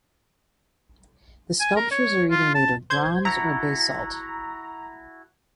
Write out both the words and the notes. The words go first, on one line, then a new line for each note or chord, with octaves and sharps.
The sculptures are either made of bronze or basalt.
G#5
A#4
C#5
F4
A5
C5 G6 G#6
E4 F#4 A4 A#5